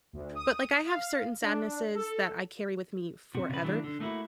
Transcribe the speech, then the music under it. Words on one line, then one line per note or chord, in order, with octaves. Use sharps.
but, like, I have certain sadnesses that I carry with me forever
D2
D#6
F5
D4
A4
C3 F#4
C#3 B4
D#3 E3 F#3 A3 B3 D4
D3
A3 A#3 D#4 E4 F#4